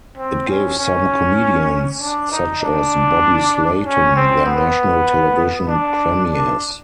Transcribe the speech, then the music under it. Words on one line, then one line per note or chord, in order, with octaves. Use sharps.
It gave some comedians, such as Bobby Slayton, their national television premieres.
C4
C#4
C#4
D4
D#4
D4
C#4
C4
B3
D4
D4